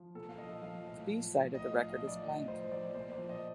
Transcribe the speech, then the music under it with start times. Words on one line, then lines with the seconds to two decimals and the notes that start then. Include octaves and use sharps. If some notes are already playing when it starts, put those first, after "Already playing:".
The B-side of the record is blank.
Already playing: F3
0.15 A#2 A4
0.29 F5
0.38 F3 D#5
0.62 F3 F5
0.85 A2
1.08 F3
1.32 F3
1.55 A2 D#5
1.73 F5
1.78 F3
1.90 D#5
2.01 F3
2.07 D5
2.24 A2 D#5
2.48 F3 C5
2.71 F3 D5
2.94 A#2 C5
3.12 D5
3.18 F3
3.29 D#5